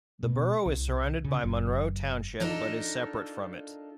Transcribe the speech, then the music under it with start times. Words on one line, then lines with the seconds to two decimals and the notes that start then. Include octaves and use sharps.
The borough is surrounded by Monroe Township but is separate from it.
0.23 B2
0.66 C2
1.25 C#3
1.43 F#1
2.40 D4 D#4 F4 A4 A#4